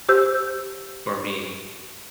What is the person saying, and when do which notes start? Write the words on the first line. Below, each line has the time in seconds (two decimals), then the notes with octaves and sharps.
for me,
0.09 G4 C5 E6 G6